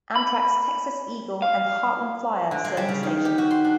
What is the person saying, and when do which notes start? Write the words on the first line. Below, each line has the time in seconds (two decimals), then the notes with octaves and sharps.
Amtrak's "Texas Eagle" and "Heartland Flyer" serve the station.
0.16 B5
1.42 F5
2.51 D3
2.65 G#3
2.77 G3
2.88 C#3
3.03 D#3
3.25 G4
3.38 F#4
3.50 C6
3.64 D4